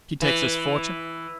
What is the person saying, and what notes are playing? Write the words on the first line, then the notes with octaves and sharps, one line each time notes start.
He takes his fortune.
E3